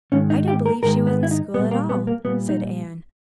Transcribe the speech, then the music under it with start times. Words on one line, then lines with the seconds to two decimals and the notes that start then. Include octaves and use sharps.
"I don't believe she was in school at all," said Anne.
0.12 G#2 D#3 G#3 C#4
0.30 D#4
0.48 G4
0.66 A#4
0.83 G#2 D#3 G#3 A#4
1.07 B3
1.23 E4
1.31 D#4
1.54 G3 B3
1.59 A#2
1.71 A#3
1.89 B3
2.07 A#3
2.25 A#2 G3 B3
2.49 D#4